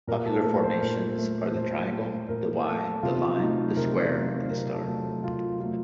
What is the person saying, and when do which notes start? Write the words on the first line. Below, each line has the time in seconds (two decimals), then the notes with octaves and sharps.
Popular formations are the triangle, the Y, the line, the square and the star.
0.07 A#2 A#4
0.26 A4
0.44 A3 A#4
0.63 C5
0.81 A#2 A#4
1.18 A3
1.55 A#2 C5
1.92 A3
2.29 A#2 A#4
2.66 A3 A4
3.03 C3 F4
3.40 F#3 A3 D#4
3.77 C3 A#4
4.13 F#3 A3
4.50 C3 A#4
4.74 A4
4.87 F#3 A3
5.24 C3 F4
5.60 F#3 A3 F4